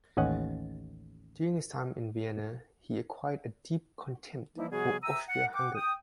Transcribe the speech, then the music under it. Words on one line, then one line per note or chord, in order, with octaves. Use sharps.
During his time in Vienna he acquired a deep contempt for Austria-Hungary.
A1 D#2 C#4 D#5 F#5
E3 F3 G3 A#3 D#4 E4
C3 F3 G3 B3 F#4 G#4
E5 G5 A#5 D#6 E6
F#5
F#5 G5 D6
G5 D#6